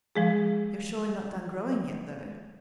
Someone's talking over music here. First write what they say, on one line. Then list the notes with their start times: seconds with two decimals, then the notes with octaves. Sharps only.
You're surely not done growing yet, though!
0.16 F3 G#3 G#4